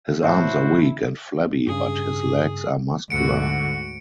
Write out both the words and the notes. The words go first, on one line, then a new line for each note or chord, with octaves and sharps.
His arms are weak and flabby but his legs are muscular.
A2 E4 F#4 C5 C#5 A5
G2 C#3 G#4
D2 G#2 D3 F#4 C#7 D7